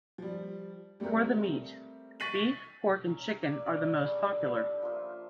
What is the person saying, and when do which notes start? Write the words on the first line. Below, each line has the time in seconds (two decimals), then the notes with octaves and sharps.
For the meat, beef, pork, and chicken are the most popular.
0.18 F3 G3
1.00 G3 A3 C4 G4 A#4
2.20 C#6 A6 B6 D#7 F#7
3.05 C#4 A#5
3.43 D5
3.62 D5 F5
4.01 G3 C#4 D4 G#4
4.44 G3 A4 B4 A5
4.82 F3 A#3 F4 E5